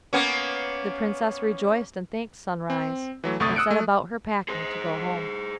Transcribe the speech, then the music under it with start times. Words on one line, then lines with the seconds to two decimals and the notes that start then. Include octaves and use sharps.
The Princess rejoiced, and thanked Sunrise, and set about her packing to go home.
0.13 A#3 B3 C#4
2.70 C4
3.24 E3 F#3 A3
3.40 G1 C2 A3 C#6 D#6 A6
3.56 D#6 E6 F#6 C#7 D7
3.71 A3
4.48 G#4 C5